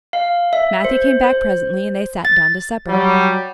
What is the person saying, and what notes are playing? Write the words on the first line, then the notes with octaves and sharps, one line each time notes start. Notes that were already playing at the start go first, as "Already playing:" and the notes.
Matthew came back presently and they sat down to supper.
F5
E5
C5
C5
A6
F#3 G3